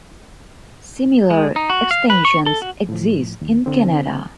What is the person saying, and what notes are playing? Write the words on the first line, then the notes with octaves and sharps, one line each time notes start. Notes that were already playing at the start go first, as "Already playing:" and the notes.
Similar extensions exist in Canada.
G#3
D#4
F#4
F5
B4
C#6
A4
F#4
A2 F3
D#2
D3 C4